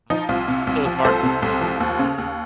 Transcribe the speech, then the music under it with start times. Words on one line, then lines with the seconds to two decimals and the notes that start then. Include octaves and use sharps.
Uh, so, it's hard to enjoy the movie.
0.10 F3 D#4
0.29 C2 F4
0.48 C3
0.67 C2
0.85 F3
1.04 C2 A4 C5
1.23 C3
1.42 C2
1.61 F3
1.80 D#2
1.99 C#3
2.18 D#2